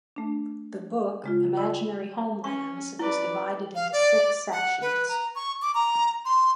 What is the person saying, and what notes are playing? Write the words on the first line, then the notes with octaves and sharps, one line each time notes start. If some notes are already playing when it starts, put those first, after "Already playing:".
The book 'Imaginary Homelands' is divided into six sections.
A3 D4
C#3 G#3 F4
D5 D#5 B5 E6
C#4 C#6
E4 B4 D5
F5
D5
F#5
B4
A#5
C#6
D6
A#5
C6